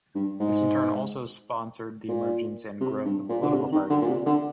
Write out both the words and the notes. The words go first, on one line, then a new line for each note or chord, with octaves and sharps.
This in turn also sponsored the emergence and growth of political parties.
G2
G#2
A#2
C3
G2
A#2
D3
C3
D#3
D3
A#2
C3
D3